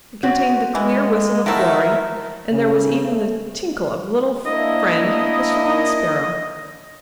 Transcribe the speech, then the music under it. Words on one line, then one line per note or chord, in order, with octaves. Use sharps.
It contained the clear whistle of Glory, and there was even the tinkle of Little Friend the Song Sparrow.
C4 C#4 F#4
E3 G#3
D#3 F3 F#3 A3 E4 A#4
C#3
A3
A#3 D4 E4 D#5